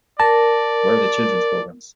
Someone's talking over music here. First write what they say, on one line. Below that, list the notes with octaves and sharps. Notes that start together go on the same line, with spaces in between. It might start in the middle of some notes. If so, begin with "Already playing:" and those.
Where are the children’s programs?
A#4 D5 A5